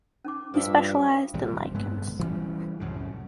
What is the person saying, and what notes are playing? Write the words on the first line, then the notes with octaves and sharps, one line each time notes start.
He specialized in lichens.
C#4 D#4 D6
G2 F3 E5
G#1 F2 C3 G3
G2 G#3 A3 B3
E3 G3 C#4
C2 F#2 A2 C#3